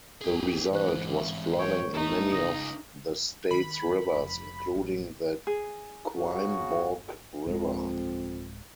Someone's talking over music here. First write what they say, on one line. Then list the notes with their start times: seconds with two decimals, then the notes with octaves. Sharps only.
The result was flooding in many of the state's rivers, including the Quinebaug River.
0.22 G4 G#4
0.72 G#2 E3 C5 F#6
1.15 E5
1.59 A#4 C#5 G5 C#6
1.94 A3 D#4
2.32 C#2 D#6 A#6
3.51 D#3 B5
4.17 F1
4.75 A1
5.47 G#4
6.16 C#3 F#4
7.46 D1 F2 G#3